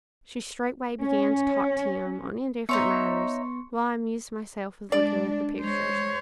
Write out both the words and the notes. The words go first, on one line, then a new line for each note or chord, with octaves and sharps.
She straightway began to talk to him on indifferent matters, while I amused myself with looking at the pictures.
C#4
B3 D#4 C#5 E5 C6 C#6 C#7
G#3 D4 D5
G#3 C5 C#5